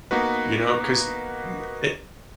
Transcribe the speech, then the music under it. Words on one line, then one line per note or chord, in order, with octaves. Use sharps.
you know, 'cause n it
A#3 B3 D#4 F#4 B4